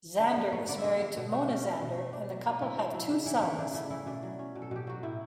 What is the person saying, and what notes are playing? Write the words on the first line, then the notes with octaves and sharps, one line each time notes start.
Zander is married to Mona Zander, and the couple have two sons.
D3 C#5
G3 B4
B3 C#5
D3 D5
E5
D3 D5
G3
B2
A3
C#4
B2
B2
A3
D4
F#3
B3
D3 E4
D4
F#3 E4
C#3 D4
E3 E4
A3 E4
C#3 D4
C#3 E4
E3 E4
B2 D4
F#3
C#4
B2
A4
B2 G4
F#3 F#4
A2 E4